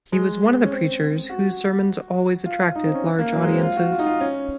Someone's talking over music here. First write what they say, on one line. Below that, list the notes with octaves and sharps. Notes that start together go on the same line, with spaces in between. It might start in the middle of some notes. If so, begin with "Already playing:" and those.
He was one of the preachers whose sermons always attracted large audiences.
G#3
C#4
C4
F#4
F4
D#4
C4
C#4
A#3
F#3
G#3
C4
F4
F#4
F4
D#4
F4
C#4